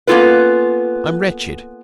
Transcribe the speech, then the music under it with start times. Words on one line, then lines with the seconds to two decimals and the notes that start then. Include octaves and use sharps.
I'm wretched.
0.07 A#3 B3 C#4 F4 A4 B4